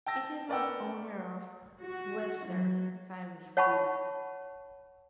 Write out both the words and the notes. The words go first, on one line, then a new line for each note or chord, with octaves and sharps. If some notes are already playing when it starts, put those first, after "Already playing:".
It is an owner of Western Family Foods.
G5 A5 E6 A#6
A#4 B4 D5 F#5 G5 E6
F#4
F#3
C#5 F#5 A5 B5 C#6